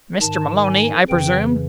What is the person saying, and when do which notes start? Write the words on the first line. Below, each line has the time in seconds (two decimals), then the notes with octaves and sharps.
"Mr. Maloney, I presume?"
0.20 G#2 D#3 A5
0.64 G#5
1.08 F2 C#3 E3 G5